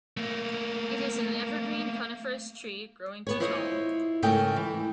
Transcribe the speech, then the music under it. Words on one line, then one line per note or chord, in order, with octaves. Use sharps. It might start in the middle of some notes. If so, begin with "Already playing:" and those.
It is an evergreen coniferous tree growing to tall.
A3 A#3
B3 B4 C#5
E4 F4 C5 C#5 D#5
G#2 C#3 A3 A#4 G5
E3